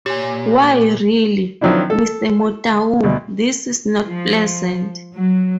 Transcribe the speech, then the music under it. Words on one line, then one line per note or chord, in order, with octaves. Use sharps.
Why really, Mr. Montagu, this is not pleasant!
A#2 G4 C#5 G#5
D#3 F3 F#3 C4 D4 E4
A4
D2 B2
F3
F#3